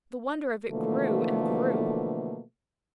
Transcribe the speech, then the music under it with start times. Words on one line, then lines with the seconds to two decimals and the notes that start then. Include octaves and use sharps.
The wonder of it grew--and grew.
0.71 B2 D3 E3 F3 A3 A#3